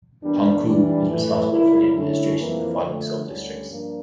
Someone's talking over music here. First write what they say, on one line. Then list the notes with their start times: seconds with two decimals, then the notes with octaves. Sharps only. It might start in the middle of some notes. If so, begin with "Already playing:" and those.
Hongkou is responsible for the administration of the following subdistricts.
0.22 E2 E3 G3 A#3 D4
0.66 E3 G3 D4
1.09 A2 E3 A3
1.52 C#2 C#3 G3 A#3 E4
1.95 D3 A3 C#4 E4
2.38 F2 E3 A#3
2.81 D3 F3 A3
3.25 D2 D3 G3 C#4
3.68 G2 F3 A#3 D4